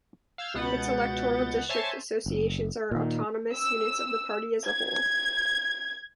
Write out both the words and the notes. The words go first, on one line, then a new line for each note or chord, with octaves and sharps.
Its Electoral District Associations are autonomous units of the party as a whole.
F5 E6 F6 G6 G#6
C#2 B2 B3 F#5 G6 A6
C5 C#5 E5 G#5 A5 C6
F#1
A#2 D#3
E6
G#6